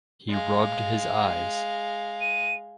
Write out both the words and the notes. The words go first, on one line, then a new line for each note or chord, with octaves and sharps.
He rubbed his eyes.
G#3 F5
D#7